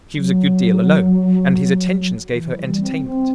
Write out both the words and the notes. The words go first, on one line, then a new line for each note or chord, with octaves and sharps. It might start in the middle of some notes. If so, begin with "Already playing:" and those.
She was a good deal alone, and his attentions gave her entertainment.
F#3
E3
G3
C4
C4